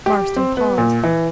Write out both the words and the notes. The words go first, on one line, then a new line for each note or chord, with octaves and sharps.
Marston paused.
G4
C4
B3
A#2
E3